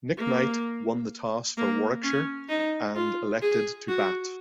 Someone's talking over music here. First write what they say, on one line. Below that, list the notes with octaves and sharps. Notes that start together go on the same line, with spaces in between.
Nick Knight won the toss for Warwickshire and elected to bat.
A#3
A#3
C#4
D#4
F4
G#4
F#4